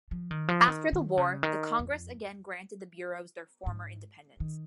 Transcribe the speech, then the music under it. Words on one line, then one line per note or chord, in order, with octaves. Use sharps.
After the war, the Congress again granted the bureaus their former independence.
F3
D#3
F3
D#3
D#3
C#3
D#3
F2
G#2
D#3